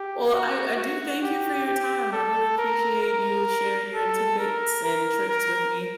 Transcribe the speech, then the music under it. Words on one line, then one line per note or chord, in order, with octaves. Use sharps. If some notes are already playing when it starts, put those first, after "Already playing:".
Well, I I do thank you for your time. I really appreciate you sharing your tidbits and tricks with me,
Already playing: G4
F#4
F#4
G4
G4
A4
A#4
A#4
A4
A#4
A#4
A#4